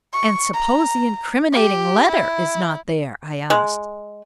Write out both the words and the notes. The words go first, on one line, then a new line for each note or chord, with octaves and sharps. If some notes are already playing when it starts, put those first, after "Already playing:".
"And suppose the incriminating letter is not there?" I asked.
C#6
A#5
G4
E4
G#3